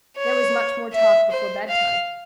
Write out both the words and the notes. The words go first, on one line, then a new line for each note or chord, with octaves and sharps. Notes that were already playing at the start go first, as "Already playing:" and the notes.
There was much more talk before bedtime.
C#5
E5
C5
F5